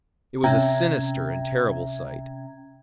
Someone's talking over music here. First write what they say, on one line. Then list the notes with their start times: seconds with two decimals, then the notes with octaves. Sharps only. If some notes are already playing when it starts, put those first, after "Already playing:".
It was a sinister and terrible sight.
0.43 C3 C#4 E5 G5 A#5 G#6